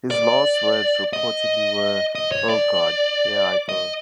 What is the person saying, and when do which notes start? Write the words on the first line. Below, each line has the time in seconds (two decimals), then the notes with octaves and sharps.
His last words reportedly were, Oh God, here I go.
0.11 D5
1.13 D#5
2.15 D#5
2.32 C#5
2.49 D5
3.69 D#5